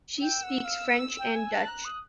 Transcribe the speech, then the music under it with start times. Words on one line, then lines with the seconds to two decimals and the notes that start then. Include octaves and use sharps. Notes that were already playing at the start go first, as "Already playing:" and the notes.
She speaks French and Dutch.
0.21 G5 E6
0.43 F#5
0.65 F5
1.19 G5
1.35 G#5
1.52 A5 F#6
1.68 A#5
1.85 D#6